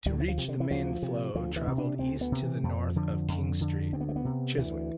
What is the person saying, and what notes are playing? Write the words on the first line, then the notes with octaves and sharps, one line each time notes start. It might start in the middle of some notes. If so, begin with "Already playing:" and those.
To reach the main flow travelled east to the north of King Street, Chiswick.
D2 G3
D3
E3
F3
C3
D3
E3
D2 F3
C3
D2 F3
E3
C3
D4
D2 C4
B3
C3
E3
F2 F3
D3 F3
F2
D3
D2 C4
B3
A3
B3
C3
D2 E3